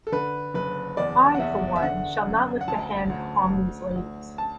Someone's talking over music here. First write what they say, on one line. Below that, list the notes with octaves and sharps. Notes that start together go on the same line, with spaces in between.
I, for one, shall not lift a hand to harm these ladies.
A4
D3 B4
F#1 B4
E2 D5
F#5
E2 E5
E5
D3 F#5
F#2
F#5
D2 A5
D2
D2
D2
A5